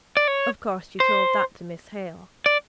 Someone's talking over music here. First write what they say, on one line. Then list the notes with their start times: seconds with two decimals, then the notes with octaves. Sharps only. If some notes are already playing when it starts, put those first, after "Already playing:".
'Of course you told that to Miss Hale?'
0.17 D5
0.28 C#5
1.00 C5
2.46 D5